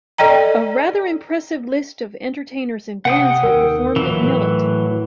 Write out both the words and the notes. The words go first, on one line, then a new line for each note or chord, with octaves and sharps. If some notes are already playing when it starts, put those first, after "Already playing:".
A rather impressive list of entertainers and bands have performed at Millett.
A4 D5 D#5 G5 A#5
C3 F#5 G5 D#6
D#2 A#4
A#2 E3 F#3
A2